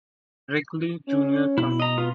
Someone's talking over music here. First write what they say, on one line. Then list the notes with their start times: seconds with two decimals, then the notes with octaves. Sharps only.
Wrigley Junior Company.
1.07 C#4
1.58 B2 E4
1.80 D#5 A#5
1.98 B3 F4